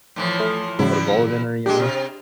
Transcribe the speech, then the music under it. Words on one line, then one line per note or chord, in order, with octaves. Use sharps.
put a bullet in her, you know?
A2 E3 F3
A3
E2 G#2 C#3 F#3 E4
G#3 D4 G4
C3